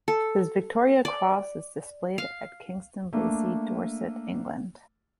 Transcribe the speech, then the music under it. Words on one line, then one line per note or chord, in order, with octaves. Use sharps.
His Victoria Cross is displayed at Kingston Lacy, Dorset, England.
A4
D5
F5
A3 A#3 D4